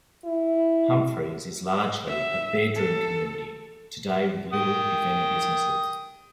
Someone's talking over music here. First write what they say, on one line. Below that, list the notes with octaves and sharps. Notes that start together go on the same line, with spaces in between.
Humphreys is largely a "bedroom community" today with little if any businesses.
E4
E5
A4
G5 D#6